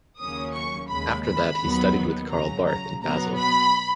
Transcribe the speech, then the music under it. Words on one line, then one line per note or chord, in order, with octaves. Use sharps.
After that he studied with Karl Barth in Basel.
D#2 C#3 F#3 A#3 C#4 D#6
C#6
D#2 C#3 G#3 B5
B5
D#2 D#3 F#3 B3
C#2 C#3 F#3 C#4 A#5
A#5
B2 F#3 B3 A#5
B5